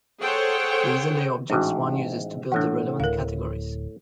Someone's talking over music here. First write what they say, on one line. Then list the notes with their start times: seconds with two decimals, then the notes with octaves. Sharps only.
These are the objects one uses to build the relevant categories.
0.20 G#4 A4 C5 C#5 F#5 G5
1.50 A1 G#2 D4 F#4
2.52 A2 E3 D4 F#5
3.00 D1 A#4 F5